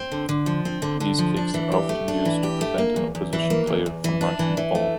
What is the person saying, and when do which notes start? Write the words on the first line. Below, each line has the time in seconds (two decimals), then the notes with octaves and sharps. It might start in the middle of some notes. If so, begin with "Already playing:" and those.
These kicks are often used to prevent an opposition player from marking the ball.
Already playing: C4
0.12 D3
0.29 D3
0.46 F3
0.65 C4
0.82 D3
1.00 D3
1.18 F3
1.36 D4
1.54 E3
1.72 G4
1.89 A3
2.08 D4
2.25 E3
2.43 G4
2.61 A3
2.78 A#3
2.96 E2
3.15 E2
3.33 E3
3.50 A#3
3.67 E2
3.86 E2
4.04 E3
4.21 D4
4.39 E3
4.57 E3
4.75 A3